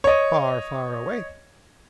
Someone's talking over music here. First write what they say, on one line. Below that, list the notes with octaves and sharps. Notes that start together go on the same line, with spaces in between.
"Far, far away!"
C#5 D#5